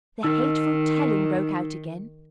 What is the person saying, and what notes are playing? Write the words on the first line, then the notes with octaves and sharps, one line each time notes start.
The hateful telling broke out again.
D#3 D#4 E6